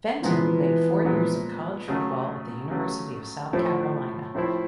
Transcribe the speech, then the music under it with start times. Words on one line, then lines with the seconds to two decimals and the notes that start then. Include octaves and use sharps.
Fenton played four years of college football at the University of South Carolina.
0.22 A#2 E3 F3 G#3 B3
1.05 A#2 F3 G#3 B3
1.88 C#3 F#3 A3
2.70 C#3 F#3 A3
3.53 A2 F3 A3 C4 E4
4.34 A2 F3 A3 C4 E4